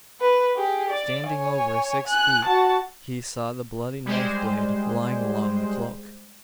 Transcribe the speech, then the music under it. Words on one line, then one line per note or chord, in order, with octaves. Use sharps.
Standing over six feet, he saw the bloody knife-blade lying along the cloak.
B4
G4 G#4
D5
C#5 G#5
G#5 F#6
F#4 A5
G3 G#3 C5